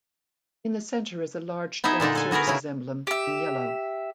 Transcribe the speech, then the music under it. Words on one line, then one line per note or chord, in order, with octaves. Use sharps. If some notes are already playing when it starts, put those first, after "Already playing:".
In the centre is a large joint services emblem in yellow.
B3 D#4 E4 G#4 E5
A#2 D3 D4 D#4
A4 G#5
B3 F#4 G#4 A#4 B4
C#3 E4
G4 E5